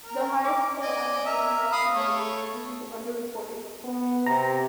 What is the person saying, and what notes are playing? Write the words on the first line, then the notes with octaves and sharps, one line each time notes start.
The highest score on the game is up to debate due to under reporting.
A#4
D6
D5 D#5 G#5
A#4 E5
F5 B5 D#6
A3 C#5
B3
C3 A#5